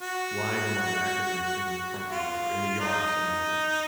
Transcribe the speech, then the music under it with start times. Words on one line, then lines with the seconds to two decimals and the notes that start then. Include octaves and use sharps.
lying on my back in the in the front yard or in the yard somewhere
0.01 F#4
2.11 F4
2.80 D#4